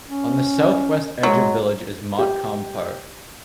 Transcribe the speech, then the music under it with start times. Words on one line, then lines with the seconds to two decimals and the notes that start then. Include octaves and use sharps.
On the south-west edge of the village is Motcombe Park.
0.08 C#4
1.23 F#3 G#3
2.19 G4